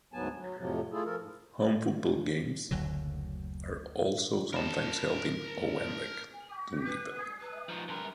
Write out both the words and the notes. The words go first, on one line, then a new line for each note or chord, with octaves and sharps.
Home football games are also sometimes held in Owenbeg, Dungiven.
D2 G#2 F#3 B3 G#5 A5
F#3
F2 A2 C3 F3 F#3
A3 E4 F4 G#4 A4
F3 A4 A#4
G#2
F#1 D2 D3 F#3
A#4 A5
B4
B4
F3 D#4
G2 A#4